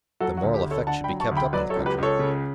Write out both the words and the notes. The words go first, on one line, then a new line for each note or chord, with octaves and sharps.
The moral effect should be kept up in the country.
F#3 F#4 A4
F#4
D2
G4
D2
A4 C#5
D3 F#5 A5
G5 B5
F#3
A5 C#6
D2
G5 B5
F#3 B4 D5
A4 C#5
C#2
G4 B4
C#2 A4 C#5
C#3